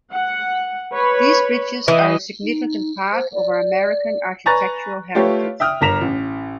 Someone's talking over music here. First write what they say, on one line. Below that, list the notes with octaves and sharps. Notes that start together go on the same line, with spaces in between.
These bridges are a significant part of our American architectural heritage.
F#5
B4 C#5 B5
E3 D#5
D#4
C5
D5
B4 G#5 A#5 C#6 F#6 A6
A3 F4 G4 B4 C#5 F5
E5 G5 D#6 F6
G1 A#4 A#5 B6 E7 F7
A1